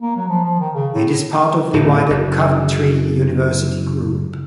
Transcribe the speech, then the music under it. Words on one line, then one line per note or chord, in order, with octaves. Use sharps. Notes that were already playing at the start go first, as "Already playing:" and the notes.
It is part of the wider Coventry University Group.
A#3
F#3
F3
F3
D#3
C#3
A2
D1
F#1